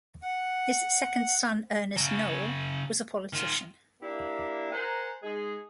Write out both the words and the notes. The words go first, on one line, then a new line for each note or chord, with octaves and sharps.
His second son Ernest Noel was a politician.
F#5
C#3 F#3
D#3 F4
A#3 D4 E4 G4 E5
A#4 C5 F#5 G#5 A#5
G#3 D#4 G#4